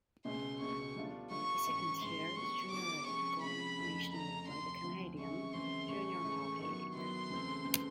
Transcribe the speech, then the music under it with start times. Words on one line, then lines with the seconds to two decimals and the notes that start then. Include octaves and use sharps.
The second tier is Junior A, governed nationally by the Canadian Junior Hockey League.
0.25 C#2 B2 G#3 C#4 C6
0.61 C#2 B2 G#3 C#4 C#6
0.96 D3 G3 B3 D4 F4
1.30 D3 G3 B3 D4 F4 C#6
1.66 G#2 E3 G#3 C#4
2.01 G#2 E3 G#3 C#4 C6
2.36 D3 G3 B3 E4 C#6
2.71 D3 G3 B3 E4 D6
3.07 C3 F3 G#3 C#4 C#6
3.42 C3 F3 G#3 C#4 B5
3.77 F2 C#3 F3 A3
4.12 F2 C#3 F3 A3 A#5
4.48 D2 C3 F3 C6
4.83 D2 C3 F3
5.18 F#2 C#3 E3 G#3 C4 C#6
5.53 F#2 C#3 E3 G#3 C4 C6
5.88 A2 E3 G#3 C#4 C#6
6.23 A2 E3 G#3 C#4
6.58 G2 D#3 F#3 B3 E4
6.94 G2 D#3 F#3 B3 E4 C6
7.29 E2 C#3 E3 A3 C4
7.64 E2 C#3 E3 A3 C4